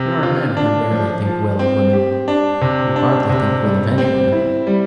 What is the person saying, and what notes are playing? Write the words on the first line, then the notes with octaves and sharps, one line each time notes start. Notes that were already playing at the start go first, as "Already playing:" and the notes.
There are men who rarely think well of women,--who hardly think well of any woman.
Already playing: C3
F4
D4
F3
F3
C4
G4
D4
C3
D4
C3
G3
C4
E4
G3